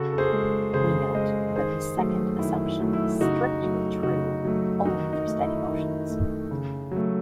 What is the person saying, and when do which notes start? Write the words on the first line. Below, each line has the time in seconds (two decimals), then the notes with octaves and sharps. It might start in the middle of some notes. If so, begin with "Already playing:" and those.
We note that this second assumption is strictly true only for steady motions.
Already playing: C#3 F#4 A4
0.13 A4
0.18 G#4 C5
0.32 G#3
0.73 C#3 G#4 C5
1.15 G#3 C5 D#5
1.56 D#3 G#4 C5
1.97 F#3 A3
2.39 D#3 E4
2.66 E4
2.80 F#3 A3
2.93 E4
3.20 C#3 D#4 F#4
3.62 F#3 A3
4.03 C#3 D#4 F#4
4.45 F#3 A3
4.85 D#3 D#4 F#4
5.13 D#4
5.27 A3
5.41 E4
5.68 D#3
6.10 A3
6.51 C#3
6.91 F#3 A3